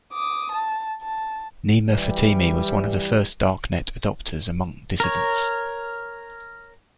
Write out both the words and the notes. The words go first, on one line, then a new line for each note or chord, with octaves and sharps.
Nima Fatemi was one of the first Darknet adopters among dissidents.
D6 D#6
A5
A5
E3 G3
A#4 C#5